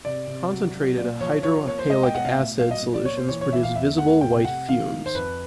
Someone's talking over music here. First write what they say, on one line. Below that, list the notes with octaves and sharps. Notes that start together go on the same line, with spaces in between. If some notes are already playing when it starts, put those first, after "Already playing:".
Concentrated hydrohalic acid solutions produce visible white fumes.
C3 D5
C3
F#3
F#3
A#2 D5
F3 C#5
F3 C#5
C#5
A#3 C#5
C5
G#3 D#5
G5
B2 F#5
F5
A2 E5
F#3 F5
D#5
A#2
D5
A#2 C#5
C5
E3 C#5
C#5
E3 E5
F5
E2 E5
A3 F#5
C3 G5
C3 F#5
D#3 F5
D#3
C5
F2 B4